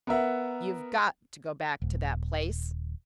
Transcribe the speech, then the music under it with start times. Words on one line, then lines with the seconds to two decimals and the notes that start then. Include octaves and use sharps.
"You've GOT to go back to that place?"
0.07 B3 A#4 E5 F#5
1.82 D#1